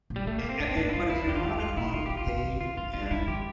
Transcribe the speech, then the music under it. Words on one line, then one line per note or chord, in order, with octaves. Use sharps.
e uh, e but if you're not in a lot of pain and
A#2
G3
D3 A3
E3 A#3
C4
C3 D4
C4
A2 D4
E4
G2 F4
F2 E4
E2 D4
G4
F4
F2
G4
F2 F4
A#2 E4
C3 F4
C3 G4
F4
C3
D3
F4
E3 F4
C3 F4
D4
D3 E4
F3 G4